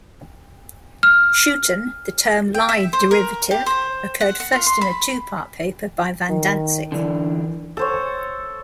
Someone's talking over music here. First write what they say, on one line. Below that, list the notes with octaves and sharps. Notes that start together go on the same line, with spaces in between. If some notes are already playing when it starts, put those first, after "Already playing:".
Schouten, the term "Lie derivative" occurred first in a two-part paper by van Dantzig.
F6
G5
E5
C5
A#4
G4
C5
F#5
F#5
F4
C6
B5
D#3
D3 E3 D4
A4 C5 C#5